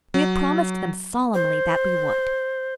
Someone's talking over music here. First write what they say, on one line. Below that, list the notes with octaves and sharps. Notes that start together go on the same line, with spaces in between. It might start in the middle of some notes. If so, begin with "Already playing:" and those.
We have promised them solemnly that we would.
F#3
C5